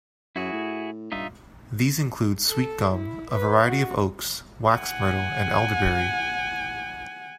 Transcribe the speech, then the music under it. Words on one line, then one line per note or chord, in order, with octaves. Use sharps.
These include sweetgum, a variety of oaks, wax myrtle, and elderberry.
F#2 E4 F#4 G#4
A2
G2 D#4 F4 E5
A4
E4
B4
F#4
F#5 G#5